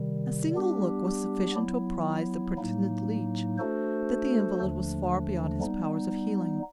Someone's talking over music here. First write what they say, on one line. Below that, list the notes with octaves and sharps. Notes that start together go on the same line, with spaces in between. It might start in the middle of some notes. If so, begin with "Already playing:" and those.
A single look was sufficient to apprise the pretended leech that the invalid was far beyond his powers of healing.
Already playing: C3 D#3 G3
G3 B3 D4 G4
F#3 B3 E4
A2 F#3 A#3 D#4
A3 D4 F#4 A4 C5
D#2 D3 F3 A3 D4
G3 B3 D#4